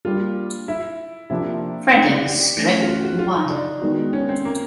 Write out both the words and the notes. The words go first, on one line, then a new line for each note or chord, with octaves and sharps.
Freddie's strip won.
G3 A#3 D4 F4
E4
C3 F3 A#3 D4 E4
D#4
D4
G4
E3 A3 C#4
F4
F#4
F#4
F4
D#4
D4
D#3 G#3 B3 D#4 F#4
C#4
C4
A#3